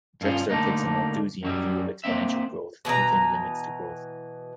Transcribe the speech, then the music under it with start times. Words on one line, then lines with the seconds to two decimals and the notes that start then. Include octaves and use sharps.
Drexler takes a Malthusian view of exponential growth within limits to growth.
0.21 G2 C#4 F4
0.50 D3 A3 A#3 D#4
1.43 F#2 F#3 G3
2.04 A#3 C4 E5
2.85 B2 E3 F#4 A#5